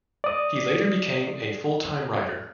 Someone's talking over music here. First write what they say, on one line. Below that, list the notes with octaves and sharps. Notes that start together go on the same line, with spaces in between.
He later became a full-time writer.
D5 D#6